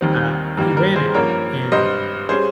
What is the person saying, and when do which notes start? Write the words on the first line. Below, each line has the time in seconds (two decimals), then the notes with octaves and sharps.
uh, he ran it, and
0.01 D#2 D#3 G3 C4
0.57 G2 D#3 G3 A#3
0.77 A#4
0.96 G#4 C5
1.14 G2 F3 A#3 C#4 A#4 C#5
1.72 G#1 G2 G3 C5 D#5
2.29 G3 C#4 G#4 C5